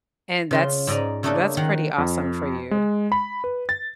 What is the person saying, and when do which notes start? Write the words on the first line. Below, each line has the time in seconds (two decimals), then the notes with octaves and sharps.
And that's that's pretty awesome for you.
0.51 C#3 F4 C6
0.87 G#2 D5 D#5 G#5 A#5
1.23 C#3 A3 A#3 D4 D#4 A4
1.57 D#3 A#4 F5 F#5
1.98 F2
2.71 G#3
3.12 B5
3.44 B4
3.69 A6